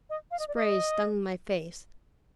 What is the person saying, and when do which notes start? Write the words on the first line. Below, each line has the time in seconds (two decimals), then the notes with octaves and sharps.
Spray stung my face.
0.10 D#5
0.31 F5
0.39 D#5
0.48 D5
0.55 D#5